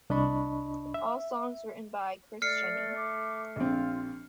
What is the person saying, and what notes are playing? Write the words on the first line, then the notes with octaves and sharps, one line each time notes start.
All songs written by Chris Cheney.
C2 D4 D#5 A5 B5 C#6
E5
A3 D5 F6 C7 C#7
D6
A#1 C4 F4